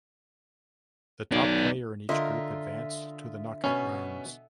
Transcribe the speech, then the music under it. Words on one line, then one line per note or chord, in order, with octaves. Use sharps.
The top player in each group advanced to the knockout rounds.
B1 B3 D5
D3 F4 A#4 D#5 E5 C6
B2 B3 C#4 G#5